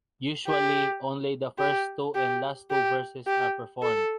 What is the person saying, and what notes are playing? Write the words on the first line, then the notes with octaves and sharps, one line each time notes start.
Usually, only the first two and last two verses are performed.
G4
G4
G4
G4
G4
A4